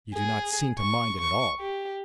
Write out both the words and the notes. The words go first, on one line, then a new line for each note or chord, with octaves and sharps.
"You do not seem to mind it at all."
G#4
C#6
C#6
G4